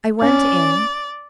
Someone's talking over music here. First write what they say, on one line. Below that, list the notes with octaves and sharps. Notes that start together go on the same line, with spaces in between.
I went in.
C#4 D5